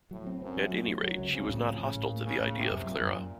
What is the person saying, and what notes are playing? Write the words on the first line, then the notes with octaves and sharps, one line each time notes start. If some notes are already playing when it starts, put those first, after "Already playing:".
At any rate, she was not hostile to the idea of Clara.
A2 F#3
C4
F#2 C4
F#3
F2 A3
F#3
F#2 F#3
C#2
C#3 C4
A2
C#3 F3
A2
A2
A#3
C#3 A#3
A2
C3 C4
F#2
F#2 A#2
F#2